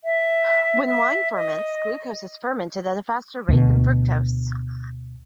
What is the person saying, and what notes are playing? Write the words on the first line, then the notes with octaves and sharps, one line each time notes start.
When wine ferments, glucose is fermented at a faster rate than fructose.
E5
E5
D#5
D2 B2